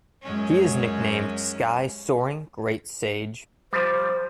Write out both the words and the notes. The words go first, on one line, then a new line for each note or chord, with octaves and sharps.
He is nicknamed "Sky Soaring Great Sage".
F#2 G#3 C#4
F3 G3 C5